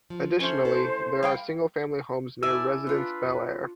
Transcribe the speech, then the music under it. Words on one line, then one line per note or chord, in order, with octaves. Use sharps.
Additionally there are single family homes near "Residence Bel-Air".
F3
A3 C#4 C5
E4 A4
G3 F5 G5
E4 A4 D5 G#5 E6
D4 F4 B4